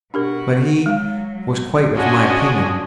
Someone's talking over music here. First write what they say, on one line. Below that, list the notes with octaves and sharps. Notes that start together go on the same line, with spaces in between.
But he was quite of my opinion.
B2 D4 F#4 G4 A#4
F#3 G#3 F5
C#4 D4 F4 F#4 D#5 G#5